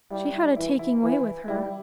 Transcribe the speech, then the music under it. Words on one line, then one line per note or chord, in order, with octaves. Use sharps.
She had a taking way with her.
G3 E4
E4
E3 E4
E4
E3
G3 E4